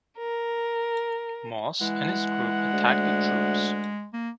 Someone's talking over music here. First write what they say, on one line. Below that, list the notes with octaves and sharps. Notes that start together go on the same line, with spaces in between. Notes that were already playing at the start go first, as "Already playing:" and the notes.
Moss and his group attacked the troops.
A#4
E3 G#3 F#5
D2
A#3